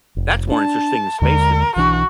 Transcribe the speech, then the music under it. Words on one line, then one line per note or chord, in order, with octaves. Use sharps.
That's more interesting than space to me.
F1
D4 A5
D#2 D3 G#3 A#4
B1 E3 D4 F#4